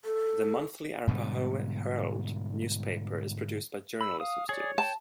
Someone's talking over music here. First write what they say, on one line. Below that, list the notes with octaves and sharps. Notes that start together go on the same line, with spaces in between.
The monthly "Arapahoe Herald" newspaper is produced by journalism students.
A4
G#2 B2 D3 G3
B5 E6
F5 D#6
G#4 C#5 D5
G5 A5